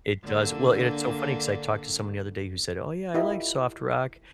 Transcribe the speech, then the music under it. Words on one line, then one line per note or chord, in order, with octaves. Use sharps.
It does. Well, it it's so funny 'cause I talked to someone the other day who said, "Oh, yeah. I like soft rock",
D3 A#3 D4
E4 F4 G4 A#4 D#5 E5